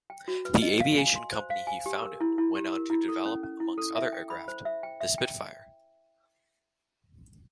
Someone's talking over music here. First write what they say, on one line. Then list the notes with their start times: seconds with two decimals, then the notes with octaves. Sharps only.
The aviation company he founded went on to develop, amongst other aircraft, the Spitfire.
0.10 G5
0.28 F#4
0.45 B4
0.62 D#5
0.80 F5
0.98 G#5
1.16 C6
1.33 C5
1.50 F5
1.67 G#5
1.86 G4
2.02 A#4
2.21 E4
2.38 E4
2.55 G4
2.73 A#4
2.90 E4
3.09 A4
3.26 C#4
3.43 C#4
3.60 E4
3.78 A4
3.95 E5
4.13 G5
4.30 B5
4.48 C5
4.65 E5
4.83 G5
5.01 E5
5.18 G5